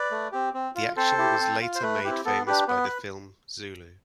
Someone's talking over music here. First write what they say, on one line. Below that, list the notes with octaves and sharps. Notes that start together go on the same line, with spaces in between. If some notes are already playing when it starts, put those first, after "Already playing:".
The action was later made famous by the film "Zulu".
Already playing: B4 D5
A3
C4 G4
C4
F4
C4 A4 C5
E4 G4
C4
F4
C5
A3 B4
C4 E4 G4
B3 A4
D4 G4 B4
B3 B4